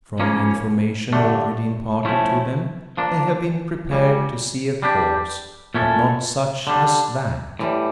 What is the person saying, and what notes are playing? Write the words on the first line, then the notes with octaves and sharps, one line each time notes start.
From information already imparted to them they have been prepared to see a corpse, but not such as that!
C#2 C#3 F3 A#3 C#4
G2 D3 A3 D4
A2 F3 A3 C#4 E4
F3 A#3 D4
C#2 C#3 G3
G3 D4 G4
A#2 A3 C#4 E4 A4
D3 G3 D4
A2 E3 G3